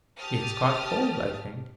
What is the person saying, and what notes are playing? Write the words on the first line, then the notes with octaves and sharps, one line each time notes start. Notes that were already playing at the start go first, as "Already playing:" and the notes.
"He has caught cold, I think?"
G4 A5 D#6 F6 A6